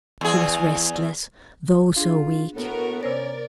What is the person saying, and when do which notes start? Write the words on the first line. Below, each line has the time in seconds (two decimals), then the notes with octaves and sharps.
She was restless, though so weak.
0.21 E2 G#4
1.97 D4 F4 G#4
2.56 A2 B3 F#4 A#4
3.03 C3 C#4 A#4 C5 D5 A#6